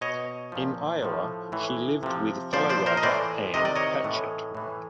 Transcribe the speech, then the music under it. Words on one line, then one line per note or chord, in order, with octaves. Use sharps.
In Iowa she lived with fellow writer Ann Patchett.
B2 C#5 D#5
A#2 F3
A2 F3
A2 E3
C3 F3
A#2 F3 C5 D5
C5 D5
A#4 C5
D#5
A2 E3 C5 D5
C3 D#3 D#5
D5
C#5 D#5
A2 E3
A2 E3